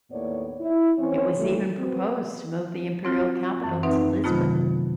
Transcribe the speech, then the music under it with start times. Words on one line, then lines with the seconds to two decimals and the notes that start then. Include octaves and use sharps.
It was even proposed to move the Imperial capital to Lisbon.
0.11 D#2 A2 A#3 B3 C#5 D5
0.61 E4
0.99 E3 C4 C#4 C#5
1.38 A#2 D#3 E3 G3 A3
1.78 B3 C4 F#4
3.05 C4 F4 F#4
3.64 F#2 E3
3.83 C4 D#4 B4 E5 F#5
4.24 C3 D#3 F#3 A3 B3 F4